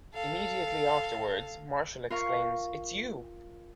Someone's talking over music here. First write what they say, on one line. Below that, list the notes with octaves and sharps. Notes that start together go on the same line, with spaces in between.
Immediately afterwards Marshall exclaims It's you!
A4 F5
F4 A#4 F5 C#6